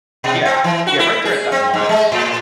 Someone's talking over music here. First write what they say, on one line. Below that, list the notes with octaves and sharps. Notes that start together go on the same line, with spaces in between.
Yeah. Yeah, right there at that moment,
B2
C4
E3
F#4
E4
G#4
C4
G#2
G#3
A2